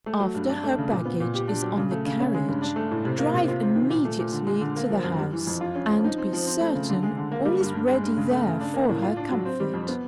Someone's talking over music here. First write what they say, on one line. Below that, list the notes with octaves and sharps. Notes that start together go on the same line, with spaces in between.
After her baggage is on the carriage, drive immediately to the house, and be certain all is ready there for her comfort.
A3
F#3
G2
D4
A3
C#3
A#2
B3
A#2
G4
D4
F#3
C#3
A3
C#3
C#4
G#3
G2
D4
A3
A2
C3
A#3
C3
F4
C4
D#3
A#2
A3
A#2
D3
G#3
D3
A#3
F3
F#2
G3
E3
F2
F4
C#4
F3
D#4
C4
F3
C4
A3
C#3
D3
G#3
D3
A#3
G3
G2
G2
G#3
G2
C#3
A3
C#3
D4
A#3
A2
F4
D4
F#3
C4
G3
F2
B3